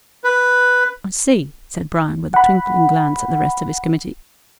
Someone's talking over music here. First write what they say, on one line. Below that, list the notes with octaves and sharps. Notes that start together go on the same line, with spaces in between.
"I see," said Bryan, with a twinkling glance at the rest of his committee.
B4
F#5 B5